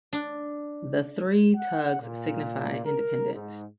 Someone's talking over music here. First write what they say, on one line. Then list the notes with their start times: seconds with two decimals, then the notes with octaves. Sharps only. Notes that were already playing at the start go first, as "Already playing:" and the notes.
The three tugs signify independence.
0.13 D4
1.56 F#5
2.00 A#2
2.85 A#4
3.33 G#2